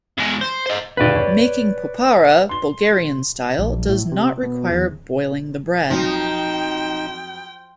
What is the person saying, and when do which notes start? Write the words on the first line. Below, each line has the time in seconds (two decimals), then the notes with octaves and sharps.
Making "popara" Bulgarian style does not require boiling the bread.
0.18 E2 G#3
0.41 C5
0.66 C5 D#5
0.97 E1 D#2 D3 B4 D5
1.15 C#5
2.49 C6 G7
3.59 A#1
3.89 A2
4.12 C3
4.43 B2
4.70 E2
5.90 F2 F3 F#3 D#4 G5